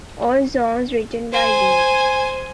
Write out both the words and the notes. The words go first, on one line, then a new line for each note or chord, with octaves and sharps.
All songs written by Ween.
C5 G#5